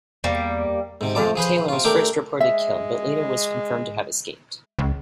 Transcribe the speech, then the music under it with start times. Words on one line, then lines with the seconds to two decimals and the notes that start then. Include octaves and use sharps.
Colonel Taylor was first reported killed, but later was confirmed to have escaped.
0.24 E2 G3 A#3
1.01 G#2 C3
1.15 F2 F3 A5 D6
1.36 F3 G#4 B4 C5
1.68 C3 F4
1.85 A3 D4 G4 A#4
2.40 G#3 E5
4.79 C#2